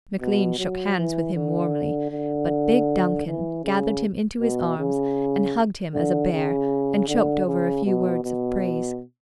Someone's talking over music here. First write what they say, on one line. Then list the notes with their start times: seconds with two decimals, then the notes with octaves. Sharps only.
McLean shook hands with him warmly, but big Duncan gathered him into his arms and hugged him as a bear and choked over a few words of praise.
0.20 B2
0.58 F#3
0.97 E3
1.35 D3
2.11 D3
3.27 E3
3.64 C#3
4.40 B2
4.78 C#3
5.94 D3
6.32 C#3
7.08 D3
7.46 C#3
7.85 B2
8.24 B2